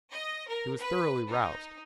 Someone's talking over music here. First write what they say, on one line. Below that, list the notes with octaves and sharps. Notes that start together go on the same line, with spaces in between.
He was thoroughly roused.
D#5
A#4
B4
D#4